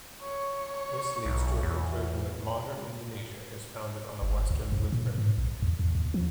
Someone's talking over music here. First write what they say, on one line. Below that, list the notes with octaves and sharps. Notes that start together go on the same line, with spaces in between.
This leads to a conclusion that 'Modern Indonesia' is founded on a Western blueprint.
C#5
B1
E2
G1
C#2
F#2
A#2
G#2
A#1
E2
E2
D#2
F3